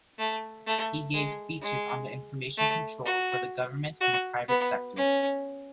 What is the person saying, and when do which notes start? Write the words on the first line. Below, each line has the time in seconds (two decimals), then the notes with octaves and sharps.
He gave speeches on information control for the government and the private sector.
0.19 A3
0.67 A3
1.14 G#3
1.62 G#3
2.58 A3
3.05 F#4
4.01 F#4
4.49 B3
4.96 C#4